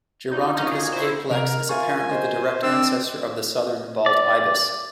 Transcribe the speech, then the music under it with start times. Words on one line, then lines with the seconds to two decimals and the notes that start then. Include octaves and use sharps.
Geronticus apelex is apparently the direct ancestor of the southern bald ibis.
0.32 D#4 F4 D5
0.57 A#2 A#3 C#4 D#4 F#4
0.71 G#4
0.92 E4 C5
1.31 C3 A#4
1.69 F4 E5 F5 G#5 C#6
2.11 C5 D#5
2.63 C4 D4 E6
4.06 D5